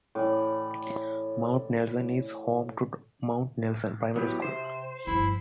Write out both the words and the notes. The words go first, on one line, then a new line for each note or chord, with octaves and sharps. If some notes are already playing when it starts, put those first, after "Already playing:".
Mount Nelson is home to Mount Nelson Primary School.
A2 E3 D5
F#3 B3 E4 G4
C3 C5
G1 D3 F3 E4